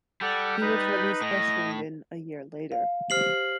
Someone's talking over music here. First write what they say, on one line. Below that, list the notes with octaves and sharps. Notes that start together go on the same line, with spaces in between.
He was released by Swindon a year later.
G3 A4 D5 F#5
D#4 B4
A2 D#5 A#6
F5
G4 C5 F6 C7 F#7